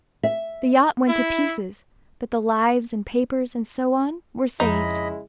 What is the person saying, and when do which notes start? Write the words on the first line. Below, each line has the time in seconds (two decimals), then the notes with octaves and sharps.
The yacht went to pieces, but the lives, and papers, and so on, were saved.
0.23 E5
1.08 E4
4.60 F2 C#3 G#3 D#4 E4 D#5 B5